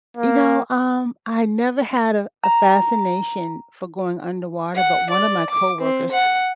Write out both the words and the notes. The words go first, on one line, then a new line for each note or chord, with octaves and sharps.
You know, um, I never had a a fascination for going underwater, but one of my coworkers,
A#3
A#5
F#5
D5
D6
C4
F#5